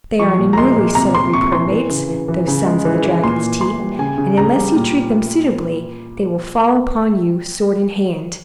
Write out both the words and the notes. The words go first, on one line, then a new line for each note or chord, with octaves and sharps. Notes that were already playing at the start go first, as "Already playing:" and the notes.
They are an unruly set of reprobates, those sons of the dragon's teeth; and unless you treat them suitably, they will fall upon you sword in hand.
F3 C#6
A#2
A#5
G#3 C6
A#2
C3 A#5
C3 C6
C3 C#6
E3 C6
E3
C#3
E3
E3
C#3
G#3
E3
E3
A#2 C6
A#2
A#2 C6
G3
C#3 G#5
C#3
C#3 A#5
G3
A#2